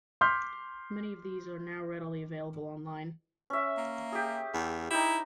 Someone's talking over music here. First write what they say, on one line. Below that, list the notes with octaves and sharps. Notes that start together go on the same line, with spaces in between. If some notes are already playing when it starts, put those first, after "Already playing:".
Many of these are now readily available online.
C6 D6 F6 G6 B6
C#4 E5
A#3
G4 G#4
E2
D#4 E4 G4